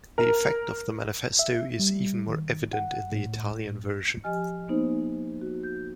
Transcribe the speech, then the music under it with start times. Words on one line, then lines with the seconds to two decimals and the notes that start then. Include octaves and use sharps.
The effect of the manifesto is even more evident in the Italian version.
0.18 A#4
1.39 E5
1.79 G3
2.27 D#3
2.73 F#5
3.12 A2
4.24 F3 G4 D#5 G#5 F6
4.68 A#3 B3 D#4 C5
5.41 F#4
5.63 G6